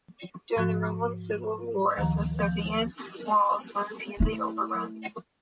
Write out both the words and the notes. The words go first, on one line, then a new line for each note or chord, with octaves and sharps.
During the Roman civil wars, the Servian walls were repeatedly overrun.
G#2 F3 F#4
D2 D#3 F3 A#5
F3 G6
A3 E4